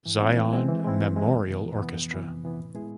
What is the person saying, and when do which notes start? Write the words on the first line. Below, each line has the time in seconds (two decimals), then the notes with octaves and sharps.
Zion Memorial Orchestra.
0.06 E3
0.21 G#3 C4 E4
0.37 E3
0.53 G#3 C4 E4
0.69 E3
0.85 G#3 C4 E4
1.01 E3
1.16 G#3 C4 E4
1.32 F2
1.48 C3 E3 B3
1.64 F2
1.80 C3 E3 B3
1.96 F2
2.11 C3 E3 B3
2.27 F2
2.44 C3 E3 B3
2.59 A2
2.75 G#3 B3 E4 G#4